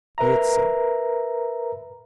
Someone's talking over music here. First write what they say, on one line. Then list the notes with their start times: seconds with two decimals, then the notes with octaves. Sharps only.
Be it so.
0.18 A#4 B4 E5 A#5